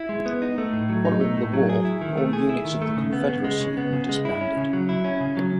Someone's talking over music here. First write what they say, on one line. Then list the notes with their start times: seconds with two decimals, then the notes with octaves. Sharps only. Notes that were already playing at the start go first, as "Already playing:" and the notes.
Following the war all units of the Confederacy were disbanded.
Already playing: E4
0.09 G#3
0.26 B3
0.42 D#4
0.58 A3
0.73 A2
0.90 F#3
1.05 D#4
1.21 A3
1.37 A2
1.54 F#3
1.69 G#4
1.85 E4
2.01 D#3
2.17 A3
2.33 G#4
2.49 E4
2.65 D#3
2.82 A3
2.97 C#3
3.13 B3
3.29 C#3
3.44 G#3
3.61 C#3
3.77 B3
3.93 C#3
4.09 G#3
4.25 E4
4.41 C#4
4.57 C#3
4.73 F#3
4.89 E4
5.04 C#4
5.21 C#3
5.37 F#3